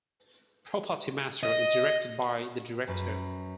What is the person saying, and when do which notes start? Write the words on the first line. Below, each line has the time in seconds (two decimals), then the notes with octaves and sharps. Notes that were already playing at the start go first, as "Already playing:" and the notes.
Property master is directed by the director.
1.43 D#5
2.88 F#2 B4